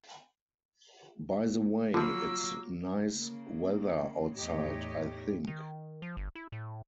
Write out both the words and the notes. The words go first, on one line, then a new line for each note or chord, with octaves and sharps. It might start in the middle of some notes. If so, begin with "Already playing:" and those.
Btw, it's nice weather outside I think.
D3 F3 F#3 A#3 F4 E6
C#3 A#3
E2 A2 D#4 G4 C#5 D#5
D#3
F3
G1
E4
A2